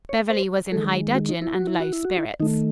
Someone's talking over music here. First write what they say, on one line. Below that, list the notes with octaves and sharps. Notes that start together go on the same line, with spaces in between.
Beverly was in high dudgeon and low spirits.
C#5
C5
D#3 G#3 A4
F#4
D#4
E4
F#4
E4
F#4
E4
F#4
E4
D#3 A3 D#4